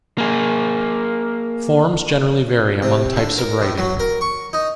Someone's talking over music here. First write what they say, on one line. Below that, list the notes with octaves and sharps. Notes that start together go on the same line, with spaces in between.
Forms generally vary among types of writing.
A#3 G#4
C3
D3
A#4
A2
F#3
A#4
C#6
D#4